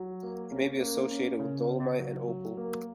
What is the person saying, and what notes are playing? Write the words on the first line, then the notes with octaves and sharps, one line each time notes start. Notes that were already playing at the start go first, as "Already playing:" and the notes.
It may be associated with dolomite and opal.
Already playing: F#3
A#3
C#4
A#3
C#4
C#3
C#3
F#3
F#3
A#3